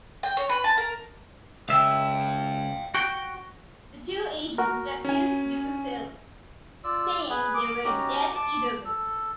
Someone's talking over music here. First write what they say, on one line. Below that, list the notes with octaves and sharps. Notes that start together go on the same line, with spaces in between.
The two agents refused to do so, saying they were dead either way.
G5
C#5
B4
A5
A#4
C#2 E5 F5 G5
F#4 G5
F#4 A#4
C#4 G#5
F4 D5 E6
G#4 B4
D6
C#4 D#4 F#4 G4
A5 D6
A4